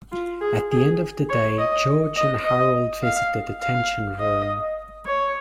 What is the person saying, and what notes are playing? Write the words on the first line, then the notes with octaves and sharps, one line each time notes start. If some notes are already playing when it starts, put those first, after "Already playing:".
At the end of the day, George and Harold visit the detention room.
F4
G#4
G#4
C#5
D#5
D#5
D#5
F5
F5
D#5
C#5